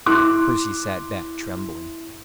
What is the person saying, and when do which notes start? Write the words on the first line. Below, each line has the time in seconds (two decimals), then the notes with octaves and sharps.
Percy sat back, trembling.
0.06 E4 C6 D6 F#6